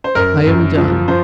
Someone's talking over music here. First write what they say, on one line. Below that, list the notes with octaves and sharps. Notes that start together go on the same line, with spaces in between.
I am done.
C5
F#2 A#4
F#2
F3
F3 C5